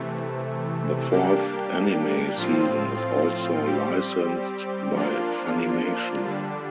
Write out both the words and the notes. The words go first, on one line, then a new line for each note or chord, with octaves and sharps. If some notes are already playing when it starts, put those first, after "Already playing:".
The fourth anime season is also licensed by Funimation.
Already playing: C3 E3 A3
G3 A#3 D4 G4
A2 F3 C4 F4
G3 C4 G4
F3 A#3 D4 F4
D3 G3 D4